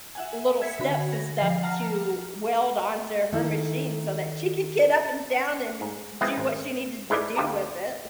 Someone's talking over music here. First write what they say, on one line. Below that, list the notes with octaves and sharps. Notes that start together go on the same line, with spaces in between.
little steps and stuff to weld onto her machine so that she could get up and down and do what she needed to do with it.
E5 F#5 G#5
E5 G#6 B6 C#7
D3 F#4 B5
A#6
F3 F5 C7
F#5 A5 A#5 F6
D#3 D#4 E4 A4
G#2
F3 G#3 B3 C4 E4 G#4
G#1
G#2 G#3 E4 B4 D5
D2 F4 G4 A5 A#5